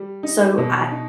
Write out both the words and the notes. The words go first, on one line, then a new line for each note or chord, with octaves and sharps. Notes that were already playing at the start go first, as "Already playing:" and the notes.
so I
Already playing: G3
D#4
B2
D#4